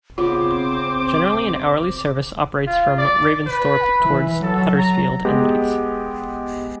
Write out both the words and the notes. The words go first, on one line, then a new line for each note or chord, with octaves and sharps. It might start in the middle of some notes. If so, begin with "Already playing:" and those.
Generally an hourly service operates from Ravensthorpe towards Huddersfield and Leeds.
C#3 B3 C4 F4 C5 D6
F4
D5
B4
E3
F#3 A4
A#5
G#3 B3 G4